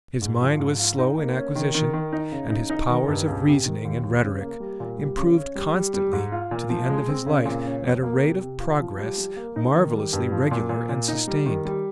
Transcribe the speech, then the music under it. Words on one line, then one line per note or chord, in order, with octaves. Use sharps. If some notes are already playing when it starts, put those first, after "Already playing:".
His mind was slow in acquisition, and his powers of reasoning and rhetoric improved constantly to the end of his life, at a rate of progress marvelously regular and sustained.
G#2
F3
G#2
F4
D#4
A#3
C#4
D#3
D#3
D#3
D#4
C#3
D#4
D#4
D#3
G2
C#2
C3
D#3
D#2
D#2
C#3
A#3
G3
A#2
G3
C#3
C#4
G3
G3
G3
G#2
F4
A#2
F3
G#3
C4
C#3
A#2
C#4
F2
A#3
C3
C3
F4
F3
G3
G3
A#3
D#4
D#3
G3
G2
F3
A#2
A#2
A#2
D#4
G3
D#3
G3